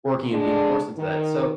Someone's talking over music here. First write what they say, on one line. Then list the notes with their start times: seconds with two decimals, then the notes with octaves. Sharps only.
working and being forced into that, so
0.32 D3 G#3 D4
0.98 D#3